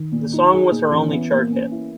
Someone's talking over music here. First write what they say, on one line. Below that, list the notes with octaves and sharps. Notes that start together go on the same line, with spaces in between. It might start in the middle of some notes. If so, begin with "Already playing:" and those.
The song was her only chart hit.
Already playing: D#3
A#2
D#4
G#4
A#2
E3 C#4
B3 E4
A#2 A#3
C#4
E4